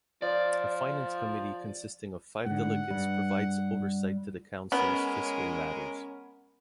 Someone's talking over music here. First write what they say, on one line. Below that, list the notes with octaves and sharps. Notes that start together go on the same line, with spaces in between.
A Finance Committee consisting of five Delegates provides oversight to the Council's fiscal matters.
F3 D5
G#2 D3 F#5
G2 G3
G#3 B3 C#4 A#4